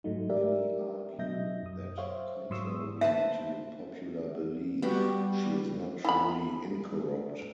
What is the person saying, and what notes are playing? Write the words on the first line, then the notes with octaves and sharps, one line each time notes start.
Many argue that contrary to popular belief, she is not truly incorrupt.
G#2 F#3 A3 D#4
G4 A#4 D5 E5
B2 F#3 D#5 E5 G6 A#6
F#2 D#6
C5 C#5 E5 F5
G#2 F#3 C6 C#6 D#6 E6
B4 C5 E5 A5
G3 B3 F#4 G4
E4 B5